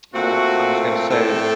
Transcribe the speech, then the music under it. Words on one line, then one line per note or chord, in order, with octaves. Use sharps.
Well, I was gonna say
A#2 A3 C4 F#4
A2 A3 C4 A4